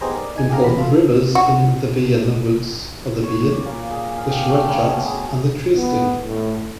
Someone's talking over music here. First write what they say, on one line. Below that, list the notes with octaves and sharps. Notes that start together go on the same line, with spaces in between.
Important rivers in the Vienna Woods are the Wien, the Schwechat and the Triesting.
B3 D#4 G4 G#4 C5 A#5
A#4 D5
D#4 G#5
G4 G#4 F5 A#5
A1 E2 C3 B5
F4 A4 F5
F#4
C#5
D6
A#2
G#4
F5
G4
A3
C#3
B2
G#4
B3
A2